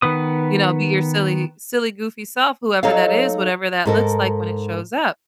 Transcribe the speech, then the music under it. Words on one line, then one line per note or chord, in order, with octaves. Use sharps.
you know, be your silly silly goofy self, whoever that is, whatever that looks like when it shows up.
D#3 B3 B4 D#6
F#3 D#4 A4 C#5 D#5 F5
G#2 A4 A#4